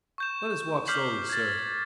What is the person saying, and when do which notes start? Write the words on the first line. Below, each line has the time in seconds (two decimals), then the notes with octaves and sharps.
Let us walk slowly, sir.
0.18 C#6 G6 E7
0.87 D6 F6 G6 B6 C7 F#7
1.30 G#6 A6